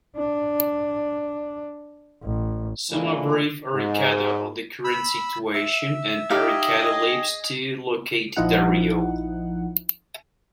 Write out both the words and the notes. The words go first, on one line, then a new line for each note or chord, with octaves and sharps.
Soma briefs Arikado on the current situation, and Arikado leaves to locate Dario.
D4
A1
A2 E3 G#3 A#3 D4 F4
G#2
B5 E6
E5
D#4 G4 G#4 D#5 F5
A#1 F3 D#4 E4 F#5